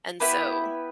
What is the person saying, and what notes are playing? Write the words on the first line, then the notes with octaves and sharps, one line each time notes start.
and so,
B3 E4 G4 B4